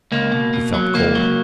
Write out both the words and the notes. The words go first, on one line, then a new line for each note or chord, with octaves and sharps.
He felt cold.
C#2 A#3
B2
B2
F#3
C#2 A#3
F#3